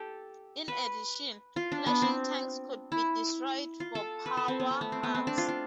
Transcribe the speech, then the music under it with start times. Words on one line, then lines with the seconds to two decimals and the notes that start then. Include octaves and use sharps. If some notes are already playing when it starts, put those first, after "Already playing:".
In addition, flashing tanks could be destroyed for power-ups.
Already playing: G4 A4
0.68 B4
1.56 F4
1.72 D4
1.86 B3
2.02 C4
2.92 E4
3.80 F4
3.95 A4
4.26 B4
4.37 A4
4.48 C4
4.60 B3
4.71 B3
4.81 A3
4.92 C4
5.03 B3
5.15 C4
5.27 D4
5.38 F4
5.48 F4